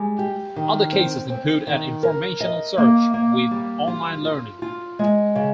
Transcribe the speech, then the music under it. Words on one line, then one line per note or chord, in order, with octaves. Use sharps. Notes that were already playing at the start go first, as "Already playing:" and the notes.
Other cases include an Informational search with online learning.
Already playing: G3 G#3
G4
D#3
C4
C4
D#3
A#4
D#5
A#3
A#3
G3
F4
F4
F4
G#3
C#3